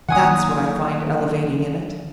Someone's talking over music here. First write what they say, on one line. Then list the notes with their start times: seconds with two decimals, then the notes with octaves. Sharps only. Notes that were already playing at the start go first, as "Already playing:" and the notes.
That's what I find elevating in it.
0.09 D#3 F#3 A#3 F#5 G#5 D#6